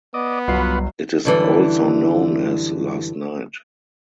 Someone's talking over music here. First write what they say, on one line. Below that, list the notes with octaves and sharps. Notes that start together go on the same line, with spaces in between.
It is also known as "Last Night".
B3 D5 D#5
G1 C2 F#3 F4 F#4 B4 C7
F#2 D3 E3 G3